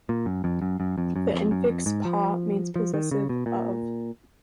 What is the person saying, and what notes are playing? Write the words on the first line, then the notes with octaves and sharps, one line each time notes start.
The infix "pa" means possessive 'of'.
A#2
F#2
F2
F#2
F#2
F2
F#2
F2
F#2
F2
G#2
F3
F3
D#3
C#3
B2
A#2